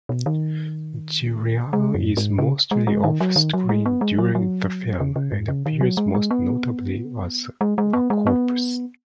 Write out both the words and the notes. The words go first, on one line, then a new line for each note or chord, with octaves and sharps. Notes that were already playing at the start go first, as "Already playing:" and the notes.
Giuliano is mostly off-screen during the film and appears most notably as a corpse.
B2
D#3
G#3
F#2
G#2
C#3
G#3
G#3
D#3
F#3
D#3
F#3
G#3
B3
G#3
F#3
F#3
C#3
C#3
G#2
C#3
D#3
F#3
G#3
G#3
B3
G#3
G#3
B3
G#3
B3